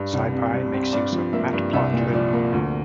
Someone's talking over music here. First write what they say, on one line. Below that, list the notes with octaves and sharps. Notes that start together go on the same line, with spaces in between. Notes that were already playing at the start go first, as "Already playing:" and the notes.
SciPy makes use of matplotlib.
Already playing: G2
C2
C3
G3
C4
G2 D5
F3
A#3 E5
G2
C2 E5
A#2
F3 D5
A#3
D2